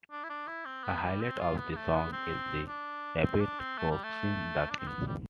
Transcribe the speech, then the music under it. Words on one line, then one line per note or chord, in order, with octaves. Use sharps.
The highlight of the song is the rabbit coaxing the king.
D4
E4
D4
E4
C4
B3
G3
C4
F4
B3
B3
A3
B3
C4
D4
C4
D4
C4
A3
G3
A3
D4
C4
B3
G3